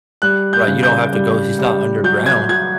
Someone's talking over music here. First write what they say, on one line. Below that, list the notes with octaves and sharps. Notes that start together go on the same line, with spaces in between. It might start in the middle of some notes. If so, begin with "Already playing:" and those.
right, you don't have to go. He's not underground.
G3 F#6
G6
C#3
G6
G3
G3
F#3 G6
G#6
F#3 G#6